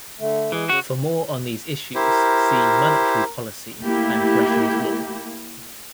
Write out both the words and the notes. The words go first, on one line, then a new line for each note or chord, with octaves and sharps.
For more on these issues, see Monetary policy and Gresham's Law.
D3 A3
E3 G#3 G#4
C#3 F#4
E4 G4 A#4 C5
A3 A#3 E4 G4